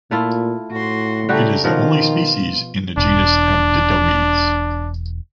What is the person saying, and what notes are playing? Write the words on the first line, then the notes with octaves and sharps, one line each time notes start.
It is the only species in the genus Abditomys.
A#2 A3 E4 F4
A2 F#4 C6
C#3 G3 A3 F#4 G4 A#5
B2 D#3 F3 F4 A#4
E1 D4